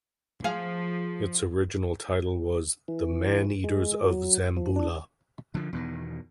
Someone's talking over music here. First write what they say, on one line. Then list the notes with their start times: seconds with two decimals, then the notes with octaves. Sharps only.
Its original title was "The Man-Eaters of Zamboula".
0.44 F3 G#4 F5
2.88 E3
3.64 G#3
4.04 F#3
4.57 F3
4.76 D4
5.55 D3 F3
5.73 E2 B2 D#3